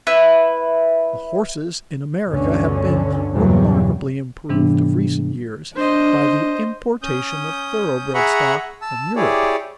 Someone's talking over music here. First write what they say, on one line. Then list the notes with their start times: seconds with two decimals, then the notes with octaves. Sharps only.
The horses in America have been remarkably improved of recent years by the importation of thoroughbred stock from Europe.
0.07 E4 B4
2.29 D2 G2 B2 D3 C#4
3.33 E2 G2 A#2 C#3 F#3 G3
4.49 G#2 C3 E3 G3 B3 D4
5.76 D4 C5 D#5
7.02 C#4 D#6 G6
8.14 G#4 E5 F#5 A#5 B5 C#6
8.82 A5 E6
9.16 E4 G4 G#4 C#5 D5